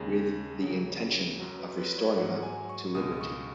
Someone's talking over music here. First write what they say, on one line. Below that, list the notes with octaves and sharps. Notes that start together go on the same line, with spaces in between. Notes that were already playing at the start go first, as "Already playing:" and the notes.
With the intention of restoring them to liberty.
Already playing: D#2 C#3 G#3
D#2 C#3 F#3
F#2 F#3
B4
B4
C#5
G#2 F#3 F#5
F#5
G#5
C#6
C#2 B2 G#3 D#6
D#6
C#6